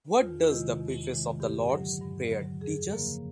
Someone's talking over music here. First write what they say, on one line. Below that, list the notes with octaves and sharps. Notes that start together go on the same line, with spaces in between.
What does the preface of the Lord’s Prayer teach us?
E2 F4
E4
C3 D#3 G#3 F4
E2
C3 D#3 G#3
G2 G4
D3 F#3
G2
D3 F#3
F2 G#4
C#3 F3 A#3 A#4